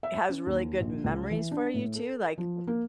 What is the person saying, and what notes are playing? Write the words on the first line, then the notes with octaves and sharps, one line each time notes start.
has really good memories for you too, like,
E5
C#4
D#2
A#1
C#2
E3
D4
A2
A4
F3
A#3